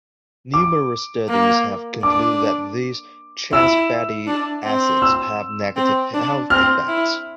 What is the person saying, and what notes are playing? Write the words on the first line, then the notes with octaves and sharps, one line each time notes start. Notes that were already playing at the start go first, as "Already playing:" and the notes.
Numerous studies have concluded that these "trans" fatty acids have negative health effects.
D6
A#3
D4 D6
E4 E6
D4
C4
E6
C4
D4
C4 F6
E4